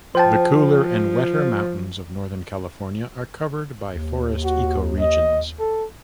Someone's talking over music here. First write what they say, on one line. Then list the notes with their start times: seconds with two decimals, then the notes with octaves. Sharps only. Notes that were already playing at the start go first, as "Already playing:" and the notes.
The cooler and wetter mountains of northern California are covered by forest ecoregions.
0.15 F3 C5 G5 A5
3.91 D#2
4.45 F#4
5.00 D#5
5.60 A4